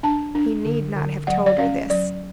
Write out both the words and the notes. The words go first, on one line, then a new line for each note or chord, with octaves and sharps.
He need not have told her this.
D4 A5
D4
D3
D3
F#3 F#5
D5
C#4 F5
F#3 D5